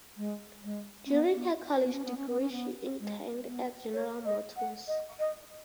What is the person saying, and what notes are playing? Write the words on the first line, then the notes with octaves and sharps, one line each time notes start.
During her college degree she interned at General Motors.
G#3
G#3
C#4
B3
B3
B3
C#4
B3
C#4
B3
C#4
B3
G#3
B3
C#5
D#5
F#5
D#5
D#5